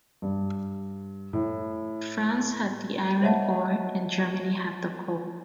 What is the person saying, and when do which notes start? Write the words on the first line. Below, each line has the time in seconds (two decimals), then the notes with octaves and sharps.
France had the iron ore and Germany had the coal.
0.22 G2
1.33 A2
3.22 C5 C#5 D#5 E5 F#5 A5